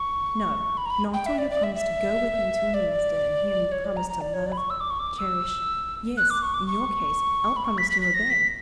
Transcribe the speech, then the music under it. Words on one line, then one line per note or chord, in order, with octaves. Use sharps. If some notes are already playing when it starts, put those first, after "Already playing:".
"No, not till you promise to go with me to a minister and hear me promise to love, cherish--yes, in your case I'll promise to obey."
Already playing: C#6
B5
A#5
B5
G5
E5
D5
D5
E5
E5
D5
C#5
D5
A#5
A#5
D5
C#5
D5
B5
C#6
E6
D6
C#6
D6
E6
F#6
D6
C#6
D6
C#6
B5
C#6
B6
B6
B6
A#6
B6